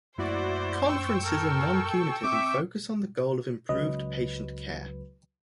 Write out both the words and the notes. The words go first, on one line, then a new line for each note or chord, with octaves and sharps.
Conferences are non-punitive and focus on the goal of improved patient care.
F#2 A3 A#3 E4 F#4 C5 D5
G5 C#6 E6
A4 A#4
C4 E5 D6
C#2 F#3 B4 D#5